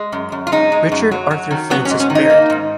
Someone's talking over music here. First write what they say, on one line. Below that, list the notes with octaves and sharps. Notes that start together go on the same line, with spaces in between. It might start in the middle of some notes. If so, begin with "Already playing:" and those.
Richard Arthur Francis Barrett.
Already playing: G#3
F#2
F#2
F4
G#3 D#4
G#3
F#2
F#3
F#3
D#3
F#3 B3
C#4
G#2
C#4
D#3
D#4
A#3
G#2